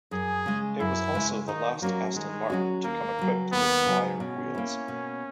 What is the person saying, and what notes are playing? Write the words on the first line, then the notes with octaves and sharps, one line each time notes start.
It was also the last Aston Martin to come equipped with wire wheels.
F#2 G#4
C#3 G#3
F#2 E4
C#3 G#3
D#3 D#4
F#3 A#3 C#4 F#4
D#3 G#3
F#3 C#4 F#4
D#2 A#3
C#3 F#3
D#2 B3
C#3 F#3
B2 C#4
A#3 E4
B2